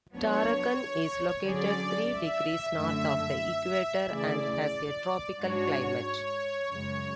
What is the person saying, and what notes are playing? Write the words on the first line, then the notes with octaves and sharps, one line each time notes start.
Tarakan is located three degrees north of the equator and has a tropical climate.
F#3 B3 D4 C#5
D3 F#3 C#4 G#4 D5
E5
F#2 D3 A3 E5
C#3 E3 A3 E4 G#4 D5
G#2 G#3 D4 F#4 C#5
F#2 C#3 G#3